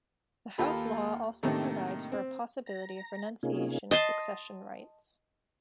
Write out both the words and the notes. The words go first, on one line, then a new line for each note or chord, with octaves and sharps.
The house law also provides for a possibility of renunciation of succession rights.
D#2 A#3 F4 A4 B5
A2 C3 D#3 A3 A#3 D4
C4
A#5
C3 A#3 C#4 D#4 F4 G#4
D#5 A5 C6